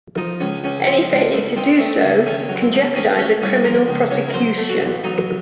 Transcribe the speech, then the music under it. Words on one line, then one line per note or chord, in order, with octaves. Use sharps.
Any failure to do so can jeopardize a criminal prosecution.
F3 D#4
C#2 C#4
C#2 C#4
F3 C4
C#2
C#2
D#3 C4
A3 C4
C#2
D#3 C#4
F#3
C4
C#2
D#3 C#4
A3 C#4
C2 C#4
F3 A#4
C#2
C#2 C#5
A#4
F#3 C5
A3
F#4
A1
F#3 D#4